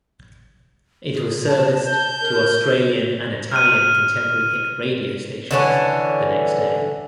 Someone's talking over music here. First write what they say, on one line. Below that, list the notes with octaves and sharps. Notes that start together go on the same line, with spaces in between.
It was serviced to Australian and Italian contemporary hit radio stations the next day.
G#4
A5
G6
A#4
F6 D#7
D3 E3 C#4